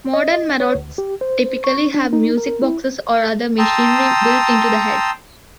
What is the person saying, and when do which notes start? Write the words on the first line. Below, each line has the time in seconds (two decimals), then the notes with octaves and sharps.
Modern marottes typically have music boxes or other machinery built into the head.
0.13 D#5
0.60 C#5
0.75 D2
0.98 G4
1.21 C5
1.64 C#6
1.94 D4
2.13 D#4
2.38 A#4
2.63 E4
3.58 G5 A5 A#5 C6 D#6 E6